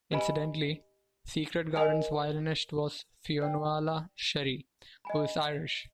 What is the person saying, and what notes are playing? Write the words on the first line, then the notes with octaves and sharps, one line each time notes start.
Incidentally, Secret Garden's violinist was Fionnuala Sherry, who is Irish.
G4 B4 D#5 G#5 B5
A#4 D#5 G#5
B4 D5 G5
D#5 G#5 B5